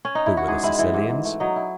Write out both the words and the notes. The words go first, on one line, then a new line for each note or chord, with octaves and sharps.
Who were the Sicilians?
C#4
D#4
E4
F#4
G#2 G#4
G#3 E4
E3 E4
G#2
G#2
A3
F#3 D#4
E4